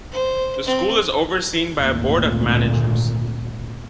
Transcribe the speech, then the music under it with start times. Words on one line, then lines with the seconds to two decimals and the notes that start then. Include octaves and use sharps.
The school is overseen by a Board of Managers.
0.12 C5
0.65 C4
1.76 G#1 D2 A#2